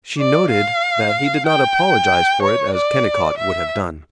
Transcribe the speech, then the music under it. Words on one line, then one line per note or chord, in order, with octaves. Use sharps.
She noted that he did not apologize for it, as Kennicott would have done.
D5
F5
G5
C#5
D5
E5